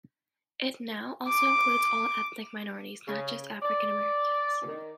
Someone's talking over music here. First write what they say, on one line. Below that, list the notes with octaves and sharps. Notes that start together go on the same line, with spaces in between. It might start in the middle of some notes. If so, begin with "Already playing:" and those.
It now also includes all ethnic minorities, not just African-Americans.
D6
C#3
D5
D#3